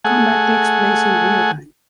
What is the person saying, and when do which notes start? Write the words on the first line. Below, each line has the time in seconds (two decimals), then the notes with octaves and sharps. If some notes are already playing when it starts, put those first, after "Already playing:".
Combat takes place in real-time.
0.04 A3 G#4 F#5 G#5